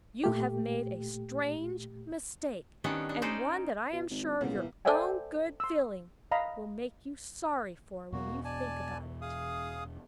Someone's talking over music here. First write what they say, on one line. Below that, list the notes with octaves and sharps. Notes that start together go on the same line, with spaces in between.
You have made a strange mistake, and one that I am sure your own good feeling will make you sorry for when you think about it.'
A#2 A3 G4
D#3 G3 B3 C#4 D4
D4
C#4 D#4 C5 D5
B2
G#1
C2 A#2 C#3 B3
E3
A4 C5 D5 E5 G5 G#5
C6 E6
D#5 F5 A#5 B5
E2 B2 A#3 B3 F#4
D5 G#5 A5
G#4 F5 D#6